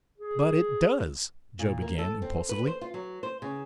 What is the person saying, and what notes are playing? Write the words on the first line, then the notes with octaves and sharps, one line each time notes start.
"But it does"--Joe began, impulsively.
G#4
A#2
A#3
A4
C4
B4
C5
F4
F#3
C5
C#3